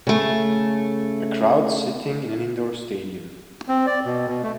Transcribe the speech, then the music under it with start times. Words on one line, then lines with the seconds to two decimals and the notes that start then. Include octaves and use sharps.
A crowd sitting in an indoor stadium.
0.07 C#3 A3
3.68 C4
3.87 D5
4.06 B2
4.28 B2
4.43 A3